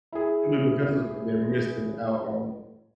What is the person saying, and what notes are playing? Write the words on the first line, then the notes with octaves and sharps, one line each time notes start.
simply because of the fact they're missing out on,
E4 G#4